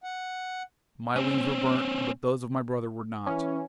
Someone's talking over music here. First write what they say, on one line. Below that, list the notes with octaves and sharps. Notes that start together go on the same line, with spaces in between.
My wings were burnt, but those of my brother were not....
F#5
C4 C#4
E3 C#4